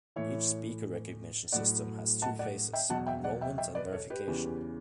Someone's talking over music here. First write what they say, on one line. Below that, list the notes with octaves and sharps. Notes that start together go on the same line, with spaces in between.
Each "speaker recognition" system has two phases: Enrollment and verification.
A2 E3 C#5 E5
A2 F#3 D5 F#5
F#5 A5
D5 F#5
E5 G5
E2 B2 F#3 F#5 A5
E5 G5
D5 F#5
E5 G5
E5 G5
B4 D5
A4 C#5
G4 B4
E2 C#3 E3